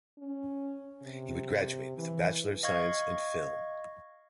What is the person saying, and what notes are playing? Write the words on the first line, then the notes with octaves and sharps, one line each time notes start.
He would graduate with a Bachelor of Science in Film.
C#4
C3
E3
D#5 F5 C#6 G#6